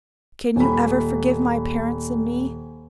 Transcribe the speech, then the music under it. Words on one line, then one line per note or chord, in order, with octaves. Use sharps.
Can you ever forgive my parents and me?
D#1 B5